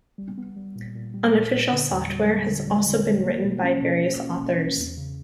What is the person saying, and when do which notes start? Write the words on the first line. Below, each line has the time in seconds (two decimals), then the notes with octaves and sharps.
Unofficial software has also been written by various authors.
0.18 G3
0.38 B3
0.56 G3
0.76 A#2
0.95 A#2
1.14 G3
1.34 A#2
1.52 A#2
1.71 D3
1.90 E2
2.10 G3
2.29 G3
2.48 D3
2.67 G3
2.87 D3
3.06 D3
3.25 A#3
3.44 B2
3.63 C#4
3.82 B2
4.01 B2
4.20 C#4
4.40 B2
4.58 C#4
4.77 E2
4.97 C#3